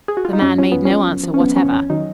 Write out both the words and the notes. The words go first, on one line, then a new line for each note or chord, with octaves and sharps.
The man made no answer whatever.
G#4
F#4
F4
D#4
F#2 C#4
F3 C#4
F#2 B3
C#4
F3
F#2
F3
C#4
F#2 B3
F3 C#4
F2 C#4
D#3 F#3 D#4